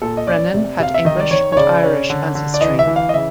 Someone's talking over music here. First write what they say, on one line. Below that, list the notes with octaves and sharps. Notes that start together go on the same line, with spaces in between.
Brenan had English and Irish ancestry.
A#2 A4
D#5
C#4 D5
C3
C3 F5
E5
D#3 D#5
D5
D#3 C#5
C#5
C#3 D5
C#4
D3
D3
D5
E3 D#5
E5
E3
F5
D#5
C#3 E5